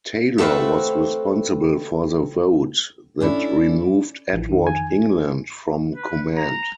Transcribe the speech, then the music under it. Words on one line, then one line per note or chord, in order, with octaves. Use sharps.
Taylor was responsible for the vote that removed Edward England from command.
A3 C4 F#4 B4 F5
C#4 D4 E4 A4
A1 E3 F3
F2 D#3
G#5
B4
A#5